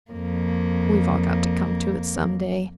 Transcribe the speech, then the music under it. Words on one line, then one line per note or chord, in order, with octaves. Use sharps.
We've all got to come to it some day.
F2 A#3